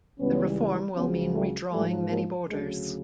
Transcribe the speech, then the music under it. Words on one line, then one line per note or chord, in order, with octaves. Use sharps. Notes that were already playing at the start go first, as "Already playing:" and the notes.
The reform will mean redrawing many borders.
C#2 C#3 E3 G3 B3 C#4
C#2 C#3 F#3 B3 C#4
G3 A3
G#2 F3 G3 A3
G#3 A#3
D2 C#3 F#3 G#3